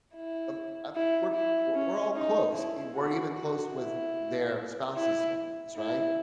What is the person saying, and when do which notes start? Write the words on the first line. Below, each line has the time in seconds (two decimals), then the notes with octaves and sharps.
um, uh, we're we're we're all close, e we're even close with their spouses' families, right?
0.14 E4
0.95 E4
1.34 E4
1.74 C#4
2.15 D#4
2.55 E4
2.95 F#4
3.35 F#4
3.75 E4
4.96 E4
5.76 E4